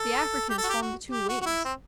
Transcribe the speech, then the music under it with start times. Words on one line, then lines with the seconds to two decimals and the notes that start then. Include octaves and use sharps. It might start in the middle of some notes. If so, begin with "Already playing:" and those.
The Africans formed the two wings.
Already playing: A4
0.49 G4
0.58 A4
0.64 F#4
0.70 G4
0.82 F#4
1.11 G4
1.29 F#4
1.41 F#4
1.46 E4
1.65 C4